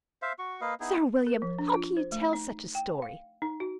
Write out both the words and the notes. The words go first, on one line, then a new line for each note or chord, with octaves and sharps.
Sir William, how can you tell such a story?
C5 E5 F5
F#4 C#6
A#3 B4 D#5 F5
B3 D#4 E4 G#4
A#4
F3
D4
F4
C5
A3
D#4
G5
F5
D#4
F#4